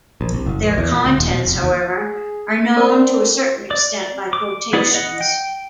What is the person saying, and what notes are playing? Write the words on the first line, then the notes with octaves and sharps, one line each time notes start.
Their contents, however, are known to a certain extent by quotations.
A#1
C2
F#1
A#1
E2
A#2
D2
D#1
B2
F1
D#2
G#4
C4 D4 A#4
D5 D6
D6
B3 E4 G#4 D5
D#5 F#5
G5